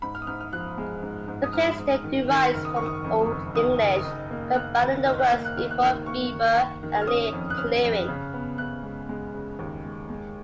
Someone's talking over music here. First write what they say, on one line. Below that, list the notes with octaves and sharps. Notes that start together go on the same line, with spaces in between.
The placename derives from Old English, combining the words "befer" "beaver" and "leah" "clearing".
G#2 B5
F6
D#6
G#2 F6
F6
F3 F#6
G#3
G#2
G#2
D#6
G#2 F6
G#2
D#3
D#3
F#1 F6
D#6
D#3 C#6
D#6
F2
F#1
D#3 D#6
F#1
D#4
A#3
A#3 F#6
D#2
D#4 F6
F#6
A#3 F6
F#6
D#3 F6
F#6
D#3 F6
A#3 C#6
D#3
D#3
D#3
F6
C#4 D#6
F2
F#6
C#4 F6
F2
C#3
B3
C#3 F#6
G#3
G#3
C#3
D#2
G#3
G#3